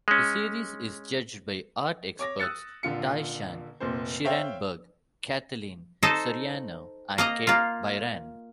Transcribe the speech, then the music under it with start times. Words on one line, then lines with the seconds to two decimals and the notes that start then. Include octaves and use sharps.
The series is judged by art experts Tai-Shan Schierenberg, Kathleen Soriano and Kate Bryan.
0.08 G#3 C#4
2.19 C#5 D6 A#6
2.39 D#6 E6 F#6 A6 C#7
2.83 D#1 D3 F4 C#7
3.80 F1 A#2 C5
4.24 C5 C#5 E5 F5 G5
6.03 D#4 A4 C5 D#5
7.18 A#3 D#5 A#5
7.47 A#3 F4